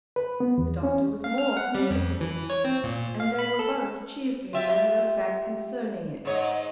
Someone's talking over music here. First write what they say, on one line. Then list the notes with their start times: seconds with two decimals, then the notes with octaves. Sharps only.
The doctor was more communicative, and they were both cheerfully matter-of-fact concerning it.
0.16 B4
0.40 B3
0.58 E2
0.83 C#4
1.24 F5
1.38 F6
1.57 F#5
1.75 G3
1.91 F2
2.21 E3
2.50 C#5
2.65 C4
2.84 A#2
3.20 F5
3.39 B5
3.59 A4
4.53 F4 G4 E5
6.25 G#2 C#5 D#5